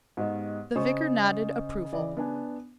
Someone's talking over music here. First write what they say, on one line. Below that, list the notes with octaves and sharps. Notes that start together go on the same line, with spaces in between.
The vicar nodded approval.
G#2 B3 G4 D#5
C#3 C5 D#5 G#5 C#6 D#6
E3 D5
B3 D4 G#5